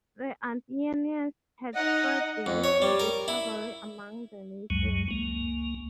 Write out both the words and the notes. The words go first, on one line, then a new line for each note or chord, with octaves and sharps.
The Athenians had spread the useful discovery among the nations.
D#4 D#5 F#5
F2
C#5
G3
A#4
E4
C#2 F#2 F#3 G#3
C#2 A#3